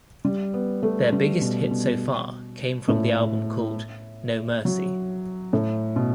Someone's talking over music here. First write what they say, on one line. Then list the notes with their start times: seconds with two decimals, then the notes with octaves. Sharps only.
Their biggest hit so far came from the album called "No Mercy".
0.25 G3
0.54 B3
0.83 A3
1.12 G3
1.41 B2
1.71 B2
2.88 A2
4.65 F#3
5.53 A2
5.96 B2